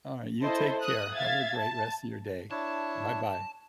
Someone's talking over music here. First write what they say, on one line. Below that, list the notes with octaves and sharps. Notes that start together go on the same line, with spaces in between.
All right, you take care. Have a great rest of your day. Bye-bye.
E4 A4 C5 D#5
D#6 F#6
E5 F5 G#6 A6
A5
D4 E4 C#5 A5